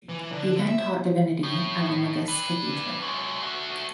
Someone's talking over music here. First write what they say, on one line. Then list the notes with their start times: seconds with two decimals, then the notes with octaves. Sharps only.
He then taught divinity at Limoges Cathedral.
0.09 E3
0.32 D3
0.68 E5
1.43 A2
2.28 D4 B4
3.02 F#3 G#3
3.42 A3 F#4